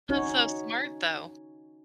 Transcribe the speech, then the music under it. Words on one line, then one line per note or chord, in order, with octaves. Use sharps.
That's so smart, though.
C#4 D#4 F#4 C#5